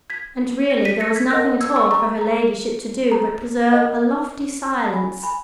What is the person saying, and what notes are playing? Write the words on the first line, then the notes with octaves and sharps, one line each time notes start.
And really there was nothing at all for her ladyship to do but preserve a lofty silence.
G#6 B6
A#6 C#7
B6 D#7
A#6 C#7
G#6 B6
A#4 D#5 F#5 F#6 A#6
E6 G#6
C#6 E6
A#5 C#6
A#5
A#5
A#4 D#5 F#5
G#5 B5
G#5 B5